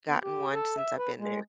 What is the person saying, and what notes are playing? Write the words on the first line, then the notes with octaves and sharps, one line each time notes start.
gotten one since I've been there.
B3
G4
A4
E5
B4
G#3